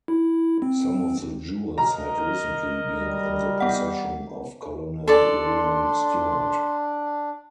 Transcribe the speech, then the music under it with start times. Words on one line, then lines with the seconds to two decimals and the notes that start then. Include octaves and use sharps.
Some of the jewels had recently been in the possession of Colonel William Stewart.
0.08 E4
0.62 C4
1.78 A#4 D#5 A#5
2.99 G3
3.60 B3 F#5
5.08 D4 A4 D5 C6